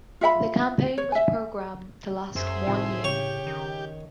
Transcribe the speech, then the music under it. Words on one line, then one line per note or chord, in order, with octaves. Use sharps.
The campaign was programmed to last one year.
F4 E5 F#5 B5
C#5
E5 G#5
F#2 G#4 C5 E5
A2 C3 D#3 F3
C#3 G4 C#5 C#6
D#3